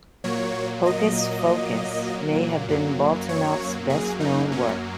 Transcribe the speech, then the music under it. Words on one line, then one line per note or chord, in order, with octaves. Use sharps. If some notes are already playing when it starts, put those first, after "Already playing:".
"Hocus-Focus" may have been Boltinoff's best-known work.
A#2 F#3 A#3 C#5
D#5
F#2 F#3 A#3
C#5
G#4
D#4
C#4